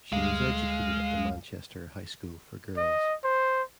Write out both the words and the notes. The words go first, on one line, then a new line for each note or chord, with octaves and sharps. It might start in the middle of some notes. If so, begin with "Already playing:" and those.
She was educated at the Manchester High School for Girls.
D2 G3 G#3 F5
D#5
C5